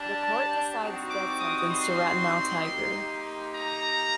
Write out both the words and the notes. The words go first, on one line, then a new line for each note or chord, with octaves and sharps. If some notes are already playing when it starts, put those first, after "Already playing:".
The court decides death sentence to Ratanlal Tiger.
Already playing: G3 D4 G4 A5
G3 C4 D#4 F#4
D6
D#6
C6
A#3 D#4 G4
A#5